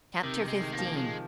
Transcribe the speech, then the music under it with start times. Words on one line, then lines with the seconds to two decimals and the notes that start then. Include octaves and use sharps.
Chapter XV.
0.23 C3 D#3
0.42 C3
0.47 G#3
0.61 D#3
0.72 A#3
0.78 F3
0.97 G#3